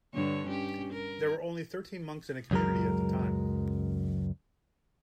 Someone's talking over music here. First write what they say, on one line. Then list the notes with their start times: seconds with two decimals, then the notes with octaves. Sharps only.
There were only thirteen monks in the community at the time.
0.14 G2 D3 C#5
0.47 C#4 G4
0.92 A#4
2.51 C#2 F#2 F#3 G#3 A#4